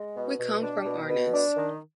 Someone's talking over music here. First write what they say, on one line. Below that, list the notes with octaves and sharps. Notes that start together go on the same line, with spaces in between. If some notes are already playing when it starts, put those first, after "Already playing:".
We come from Arnes.
Already playing: G#3
B2
B2
D4
B2
B2
D4
D#3